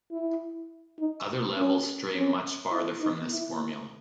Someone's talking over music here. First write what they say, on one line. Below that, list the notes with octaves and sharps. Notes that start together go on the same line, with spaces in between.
Other levels stray much farther from this formula.
E4
D#4
C#4
C#4
E4
D#4
E4